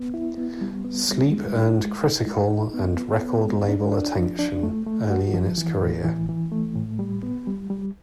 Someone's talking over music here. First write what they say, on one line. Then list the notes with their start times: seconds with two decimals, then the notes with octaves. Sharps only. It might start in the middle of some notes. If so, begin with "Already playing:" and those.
Sleep earned critical and record label attention early in its career.
Already playing: B3
0.14 E4
0.38 B3
0.61 G3
0.85 B3
1.09 G3
1.32 G#3
1.56 D#4
1.79 G#3
2.03 D#4
2.27 G#3
2.50 D#4
2.74 B3
2.97 B3
3.21 B3
3.45 G#3
3.69 D4
3.92 D4
4.16 F3
4.39 D4
4.63 A3
4.86 A3
5.10 F#4
5.34 F3
5.58 E3
5.81 A2
6.04 E3
6.29 E3
6.52 A3
6.76 A2
6.99 G3
7.23 B3
7.47 G3
7.70 G3